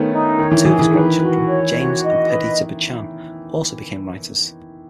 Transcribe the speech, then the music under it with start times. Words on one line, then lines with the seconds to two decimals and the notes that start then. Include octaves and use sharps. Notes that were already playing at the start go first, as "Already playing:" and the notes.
Two of his grandchildren, James and Perdita Buchan, also became writers.
Already playing: D#3 A3 B3 C#4
0.11 D#4
0.39 D#3 C#5
0.51 E3
0.65 E3 G#4
0.79 E3
0.93 D#3 B4
1.20 F#4
1.47 C#5
1.75 F#4
2.02 D#5
2.30 B4